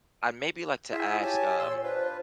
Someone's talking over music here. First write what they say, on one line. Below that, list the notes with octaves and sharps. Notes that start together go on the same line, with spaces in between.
I, maybe, like to ask, um
E4 F4 G#4 E5
G4 C#5 G#5 A5
A#2 C6 E6
D4 F4 B4 C5